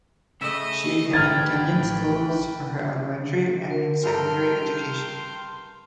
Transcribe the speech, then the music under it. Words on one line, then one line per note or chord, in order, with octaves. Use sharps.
She attended Kenyan schools for her elementary and secondary education.
C#3 A3 D#5 E5
A1 B4 G5 F6 G#6 A6
A#4
G2 A4 G5 A#5 C6 F6
C6